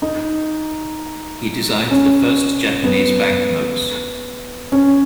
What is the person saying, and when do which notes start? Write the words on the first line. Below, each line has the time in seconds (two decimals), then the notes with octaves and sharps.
He designed the first Japanese bank notes.
0.02 D#4
1.91 C#4
2.84 B3
4.72 C#4